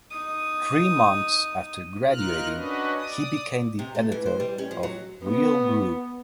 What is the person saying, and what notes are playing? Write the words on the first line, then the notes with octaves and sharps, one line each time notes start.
Three months after graduating he became the editor of "Real Groove".
D#4 D#6
D#4 F4 A#4 F6 F#6
C#4 D4 F#4 B4 D#5
D5 D#6
C3
A3
E3
C5
G3
C#4
F3
F#3
B3